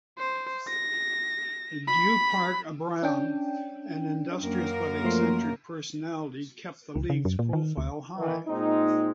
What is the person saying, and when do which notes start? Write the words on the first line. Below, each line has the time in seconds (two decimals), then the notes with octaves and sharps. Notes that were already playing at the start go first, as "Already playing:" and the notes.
Du Parc Braham, an industrious but eccentric personality, kept the league's profile high.
0.18 C5
0.68 A#6
1.88 B5
3.03 C#4 D4 G5
4.41 F#2 A#3 A#4
5.04 F3 A3 C6
6.96 C#2
7.10 C#3
7.25 F#2
7.39 A#2
7.53 D#3
7.78 D2
8.17 D#3 E3
8.47 A#2 G#3 C4 D#4